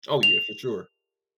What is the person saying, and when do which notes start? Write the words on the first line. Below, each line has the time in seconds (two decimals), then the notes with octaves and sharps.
Oh, yeah, for sure.
0.23 F7